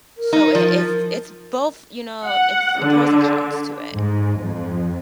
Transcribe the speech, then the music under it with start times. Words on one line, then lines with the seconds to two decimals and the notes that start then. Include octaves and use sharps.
so it it's it's both you know. It's pros and cons to it.
0.17 A#4
0.33 D#4
0.55 F3
2.25 F#5
2.80 D3
3.95 G#2
4.41 F2